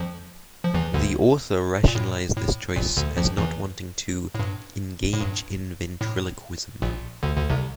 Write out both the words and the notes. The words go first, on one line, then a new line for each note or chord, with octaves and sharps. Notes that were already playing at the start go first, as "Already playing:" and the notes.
The author rationalised this choice as not wanting to "engage in ventriloquism".
Already playing: F2 F3
F3
E2 E3
D2 D3
A#2
A2
A2
A#1 A#2
D2 D3
F2 F3
E2 E3
A2
G2
A2
G2
A2
A#1 A#2
D2 D3
D2 D3
C2 C3